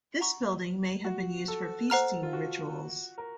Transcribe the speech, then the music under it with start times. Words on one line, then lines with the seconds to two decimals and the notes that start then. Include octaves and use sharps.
This building may have been used for feasting rituals.
0.20 F#5 A#5 C#6
1.04 F#4
1.48 A4
1.90 C5 F#5 A#5 F6
2.23 F4
2.33 F#4
3.18 A#4